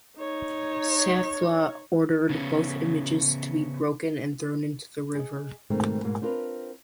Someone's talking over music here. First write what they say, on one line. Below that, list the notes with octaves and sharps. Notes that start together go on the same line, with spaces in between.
Satha ordered both images to be broken and thrown into the river.
D#4 C#5
C#3 B3 C#4
G#4 D#5
G#2 B2 D#3 G#3 A3 C4
G#2 B2 G#3 A#3
C4 D4 F4 A#4 B4